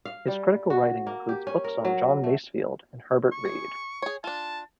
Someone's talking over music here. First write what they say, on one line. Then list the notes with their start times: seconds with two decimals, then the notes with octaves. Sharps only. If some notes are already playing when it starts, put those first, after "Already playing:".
His critical writing includes books on John Masefield and Herbert Read.
0.05 F5
0.28 G3
0.70 F#4
1.07 A#3
1.29 G4
1.47 C#4
1.64 A#4
1.85 F#3
2.24 A3
3.32 C#6
3.45 G#4
4.02 G#4 C#5
4.24 D4 F4 A5